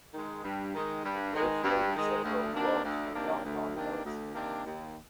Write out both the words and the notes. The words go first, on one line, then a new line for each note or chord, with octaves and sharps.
The airfield is several blocks from downtown Nelson.
D#3 G#3
G2
D#3 G#3
G2
D#3 G#3
G2
D#3 G#3
D2
C3 D#3 A#3 D4
D2
C3 D#3 A#3 D4
D2
C3 D#3 A#3 D4
D2
C3 D#3 A#3 D4
D#2